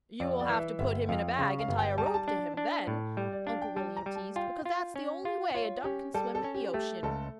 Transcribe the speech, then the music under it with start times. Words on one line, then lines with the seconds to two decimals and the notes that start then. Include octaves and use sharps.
"You will have to put him in a bag and tie a rope to him then," Uncle William teased, "because that's the only way a duck can swim in the ocean."
0.20 F2 D5
0.40 D5
0.49 E3
0.60 E5
0.79 G1 E5
1.09 F2 F5
1.38 C#3 F5
1.58 F5
1.68 G1
1.79 G5
1.98 G3 A5
2.06 A#5
2.14 A5
2.28 D4
2.57 D4
2.87 A2
3.17 G3
3.32 D5
3.47 D4 F5
3.62 G5
3.76 G3 A5
3.97 A#5
4.06 G3
4.15 A5
4.36 F4 G5
4.65 F4
4.96 C#4
5.25 F4
5.55 F4 C#5
5.84 C#4 G4
6.14 G3 A4
6.35 A4
6.44 C#4
6.54 G4
6.73 A3 G4
7.03 C#2 A4